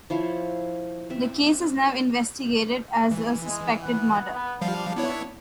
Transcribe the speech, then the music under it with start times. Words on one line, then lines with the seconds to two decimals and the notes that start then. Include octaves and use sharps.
The case is now investigated as a suspected murder.
0.10 F3 E4 C5 C#5
1.10 C4 E5
3.11 E3
3.45 G#3
3.81 B3 F#5
4.31 B3
4.61 F3 G3 D4 F5
4.96 B3 E4 C#5